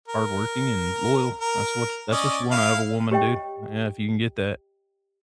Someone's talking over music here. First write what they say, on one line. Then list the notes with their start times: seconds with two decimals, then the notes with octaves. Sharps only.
hardworking and loyal. That's what ch that's what you want out of a woman, dude. Yeah, if you can get that.
0.08 A#4
1.41 A#4
2.12 C#4 D5 D#5
2.51 E4 F5
3.12 G4 C#5 D#5 G5